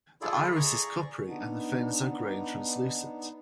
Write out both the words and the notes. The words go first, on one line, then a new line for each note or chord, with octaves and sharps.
The iris is coppery and the fins are grey and translucent.
E4 F4 G#4 A4 D5
G#4 D5 A#5 C#6
B3 D4 D#4